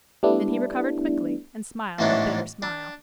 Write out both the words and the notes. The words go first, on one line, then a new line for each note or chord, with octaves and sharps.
Then he recovered quickly and smiled a bitter smile.
G3 A3 B3 D4 E4
A1 G#2 E3 B3 C#4 D4
D4